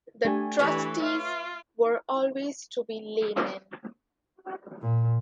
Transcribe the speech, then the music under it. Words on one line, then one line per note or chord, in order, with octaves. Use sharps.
The trustees were always to be laymen.
A3 D4 G4 G#5
E3 B4 C#5
F4 E5 F6
A#2